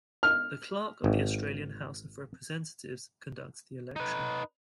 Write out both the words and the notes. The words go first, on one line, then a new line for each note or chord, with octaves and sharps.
The Clerk of the Australian House of Representatives conducts the election.
F6
G#1
D#4 B4